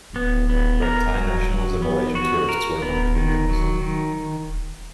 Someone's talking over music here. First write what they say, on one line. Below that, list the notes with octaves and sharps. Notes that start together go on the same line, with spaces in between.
Both Thai nationals and Malaysian tourists were among the victims.
B3
B3
A#4
F#3
F#3
B3
F#4
A#4
B3
D#3
F#3
D#3